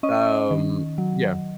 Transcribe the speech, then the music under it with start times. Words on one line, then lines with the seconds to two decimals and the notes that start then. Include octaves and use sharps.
Um, yeah.
0.03 C#4 D#5
0.51 D#3
0.98 F#3